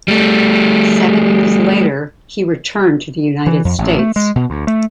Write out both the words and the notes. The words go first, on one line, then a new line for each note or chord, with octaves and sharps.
Seven years later he returned to the United States.
G3 A3
E3
F2
A1
A3
G#3
B2
D2
A3